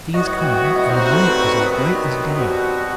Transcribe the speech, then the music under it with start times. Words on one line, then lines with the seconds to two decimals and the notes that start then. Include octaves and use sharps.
The sea is calm and the night is as bright as day.
0.14 A2 F#3 B3 F#4 D#5
0.41 G5
0.52 F#5
0.65 E5
0.76 D#5
0.88 A2 G3 C4 D#4 F#4 C5
1.13 A4
1.20 B4
1.27 A4
1.38 B4
1.62 C3 D#3 F#3 B3
2.36 B2 G3 C4 F#4